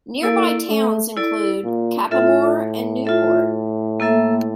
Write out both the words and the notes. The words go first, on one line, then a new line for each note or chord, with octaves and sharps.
Nearby towns include Cappamore and Newport.
A#3 E4 A4 D5
A3
E4 A4 D5
A#2
A2 F4 A4 E5
F4 A4 E5
A#3 E4 A4 E5